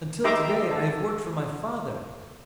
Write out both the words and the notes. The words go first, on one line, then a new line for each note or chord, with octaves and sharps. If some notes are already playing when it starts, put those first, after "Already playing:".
Until today I have worked for my father.
D#4 G4 E5 A#5 C6 D6
A4